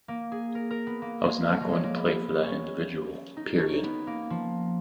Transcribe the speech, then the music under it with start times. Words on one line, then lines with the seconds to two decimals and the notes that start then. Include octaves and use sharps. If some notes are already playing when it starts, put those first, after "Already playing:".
I was not going to play for that individual -- period.
0.08 A#3
0.32 G#4
0.55 A#4
0.70 A#4
0.87 B3
1.02 A#3
1.25 G#3
1.49 F3
1.61 F#3
1.72 G#3
1.84 A#3
1.96 B3
2.43 C#4
3.37 D#4
3.60 C#4
3.83 B3
4.07 A#3
4.30 F3